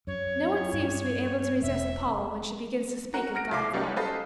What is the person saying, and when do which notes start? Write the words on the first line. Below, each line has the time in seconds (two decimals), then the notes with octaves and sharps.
No one seems to be able to resist Paula when she begins to speak of God's love.
0.07 F#2 C#5
0.73 G2
1.62 E1 E5
3.14 F#4 A#4 F#5
3.35 F6 A#6 D7
3.51 C2 F5 D6
3.73 G3 C#4 D#4 F#4 G4
3.96 A4 B4 C5 D#5 F5 A5